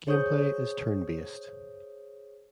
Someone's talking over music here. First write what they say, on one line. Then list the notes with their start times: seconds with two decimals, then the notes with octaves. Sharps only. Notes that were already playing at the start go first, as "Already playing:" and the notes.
Gameplay is turn-based.
0.07 G#4 C5 C#5 C#6 D#6 G6